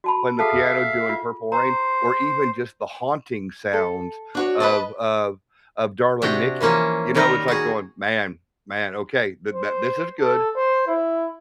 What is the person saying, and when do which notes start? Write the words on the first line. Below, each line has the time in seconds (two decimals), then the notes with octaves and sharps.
playing the piano, doing Purple Rain, or even just the haunting sounds of of of Darling Nikki, you know? It's like going, "Man man, okay. Th that this is good.
0.04 F#4 A5 B5
0.39 G#4 A4 E5 F5 A5
1.09 F4
1.52 C5 A#5
3.73 A4
4.35 D4 F#4 C#5
4.60 B4 D#5 A5
6.22 C3 D4 F#4 G5
6.61 E3 F3 A#3 C#4
7.15 D#3 G3 G4 A#4 D#5
7.48 F#4 G#4
9.53 C5
10.21 A4
10.56 C5
10.87 E4